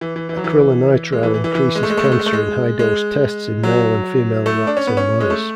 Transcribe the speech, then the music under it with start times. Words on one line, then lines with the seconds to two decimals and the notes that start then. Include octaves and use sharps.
Acrylonitrile increases cancer in high dose tests in male and female rats and mice.
0.01 E3
0.16 E3
0.29 E3
0.37 F#3
0.44 E3
1.12 G#3
1.23 E3
1.34 E3
1.44 E3
1.55 E3
1.75 G#3
1.83 A3
1.90 G#3
1.97 A3
2.04 G#3
2.12 A3
2.19 G#3
2.26 A3
2.33 G#3
2.79 G#3
3.63 F#3
4.46 A3
4.67 D4
4.77 C#4
4.87 B3
4.97 C#4
5.20 G#3
5.30 A3